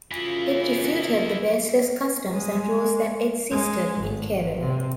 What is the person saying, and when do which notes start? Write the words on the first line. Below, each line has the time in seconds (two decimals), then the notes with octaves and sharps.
It refuted the baseless customs and rules that existed in Kerala.
0.12 F#2 C#3 E4 F4 G#4
2.30 G#3
3.51 G#3
4.00 G#1
4.60 C3